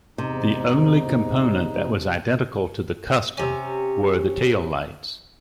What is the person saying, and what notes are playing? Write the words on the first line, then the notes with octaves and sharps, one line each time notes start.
The only component that was identical to the Custom were the tail lights.
E2 G#2 C3 D#4
C3 C#4